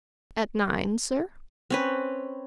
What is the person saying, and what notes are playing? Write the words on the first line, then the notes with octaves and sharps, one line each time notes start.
"At nine, sir?"
C4 C#4 B4